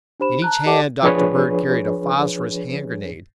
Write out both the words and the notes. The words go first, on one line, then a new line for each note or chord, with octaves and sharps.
In each hand Dr. Bird carried a phosphorus hand-grenade.
D4 G4 C5 B5 E7
A5 A#5 F#6
G4 A4 D5 F#5 A5 D6
F3 D4 G#4 B4 C#5